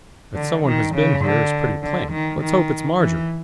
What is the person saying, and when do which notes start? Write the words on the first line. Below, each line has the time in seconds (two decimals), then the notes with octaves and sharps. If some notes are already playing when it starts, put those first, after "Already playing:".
That someone has been here is pretty plain,--let's hope it's Marjorie.'
0.35 D3
0.65 D#3
0.95 C#3
1.24 D3
1.82 D3
2.11 D#3
2.41 D#3
3.00 E3